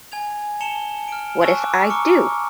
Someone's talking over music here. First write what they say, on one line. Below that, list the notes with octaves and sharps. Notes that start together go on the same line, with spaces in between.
What if I do!
G#5 G#6 F7
A5 C#7 E7 F7 G7
F6 D7
G#5 A5 C#6 E6 F#6
D6
A#5 C#6 D6 F6 C#7